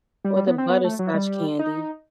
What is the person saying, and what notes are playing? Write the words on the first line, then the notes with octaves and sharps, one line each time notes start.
Or the butterscotch candy.
G3
G3
B3
C4
B3
A3
F#3
G3
D#4